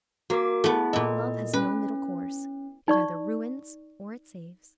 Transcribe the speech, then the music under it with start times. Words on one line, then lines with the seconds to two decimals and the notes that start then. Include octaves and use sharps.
Love has no middle course; it either ruins or it saves.
0.30 A#3 F#4 A#4 D6
0.64 A3 B3 E4 G#4
0.93 A#2 E4 D#5
1.53 C#4 B4
2.88 D#4 D5 C#6